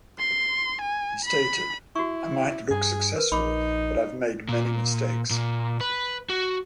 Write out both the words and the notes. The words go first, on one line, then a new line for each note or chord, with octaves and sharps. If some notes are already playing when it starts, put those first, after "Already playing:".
He has stated: I might look successful but I've made many mistakes.
C6
G#5
B5
E4 F#4 C#6
G2 G#4
A#4 B4
A#1 D#4 B5 D6
A#2
A#2
B4
F#4